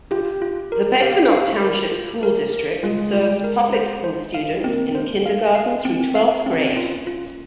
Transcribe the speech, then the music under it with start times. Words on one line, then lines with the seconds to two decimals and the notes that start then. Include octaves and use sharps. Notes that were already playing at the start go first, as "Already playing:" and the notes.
The Pequannock Township School District serves public school students in kindergarten through twelfth grade.
0.11 F4 G4
0.42 F4
0.72 A#4
1.01 G4 F5
1.32 F5
1.62 A#4
1.92 F4
2.23 A#4
2.53 A#4
2.83 G#3 F4
3.13 F4
3.44 A#4
3.74 C5
4.04 C5
4.34 F5
4.64 A#3 C4
4.95 C5
5.26 F5
5.55 F5
5.85 C4
6.15 F5
6.46 C4 C#4
6.77 F4
7.07 F4